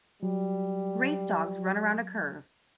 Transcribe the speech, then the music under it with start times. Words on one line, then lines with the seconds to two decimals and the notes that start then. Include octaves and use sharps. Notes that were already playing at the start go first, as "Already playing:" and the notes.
Race dogs run around a curve.
0.23 F#3 G3